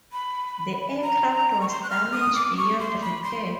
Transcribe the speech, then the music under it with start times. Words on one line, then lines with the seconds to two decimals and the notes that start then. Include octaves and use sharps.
The aircraft was damaged beyond repair.
0.12 B5
1.02 A#5
1.61 C#6
1.68 C6
1.83 F#6
1.90 F6
2.12 D#6
2.35 D6
2.57 C#6
2.80 C6
3.01 B5
3.23 C6